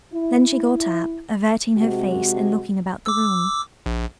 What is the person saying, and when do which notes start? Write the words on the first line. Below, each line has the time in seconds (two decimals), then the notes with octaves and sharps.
Then she got up, averting her face and looking about the room.
0.13 E4
1.76 C3 G#3 F#4
3.06 D6 E6
3.86 A#1